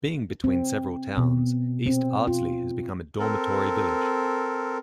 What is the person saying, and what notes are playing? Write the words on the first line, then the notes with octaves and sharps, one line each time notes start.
Being between several towns, East Ardsley has become a dormitory village.
C4
B2
C4
F4
C4 A4 A#4